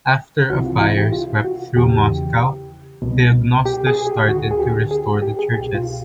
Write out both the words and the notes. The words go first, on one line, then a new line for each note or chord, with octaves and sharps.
After a fire swept through Moscow, Theognostus started to restore the churches.
C2 C3 E3 F#4
F4
E4
G4
F4
F#4
E2 C#3 E3 G4
C2 B2
G4
G#4
G4
D2 D3 F#4
G#4
G4
G#4
G4
G4
G#4
C2 B2 G4
F4